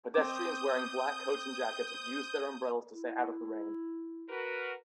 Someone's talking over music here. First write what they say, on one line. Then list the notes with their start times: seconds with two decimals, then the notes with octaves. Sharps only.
Pedestrians wearing black coats and jackets, use their umbrellas to stay out of the rain.
0.14 C4 D6 D#6 G6
2.91 E4
4.29 F#4 A#4 B4